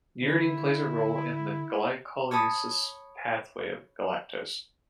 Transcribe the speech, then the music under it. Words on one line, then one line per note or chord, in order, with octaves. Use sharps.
Uridine plays a role in the glycolysis pathway of galactose.
D3 E4
C#5 A5 B5 D#6